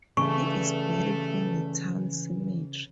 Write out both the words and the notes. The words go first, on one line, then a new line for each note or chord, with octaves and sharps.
He is buried in the town cemetery.
G2 C#3 E3 A3 C#6